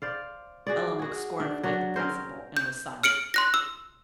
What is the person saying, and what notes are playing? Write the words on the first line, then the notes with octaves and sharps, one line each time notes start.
Eleanor looked scornfully at the principal, and was silent.
C5 D5 F5
F#4 G#4 D5
F#4 G#4
D4
F#3 D4 F#4
C4 C#4 A#4 C5
G6
F6 C#7 D7 F#7
C6 F#6 A#6
E6